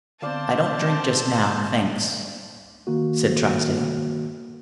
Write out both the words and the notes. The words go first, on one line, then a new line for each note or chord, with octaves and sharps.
"I don't drink just now, thanks," said Trysdale.
D3 B3 C4 C5 D5 F5 A5
D#3 A#3 F#4